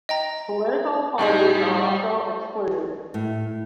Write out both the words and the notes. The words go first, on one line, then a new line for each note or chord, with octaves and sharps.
Political parties are also excluded.
D#5 G5 A#5
A2 G3 D#4 G#4
A2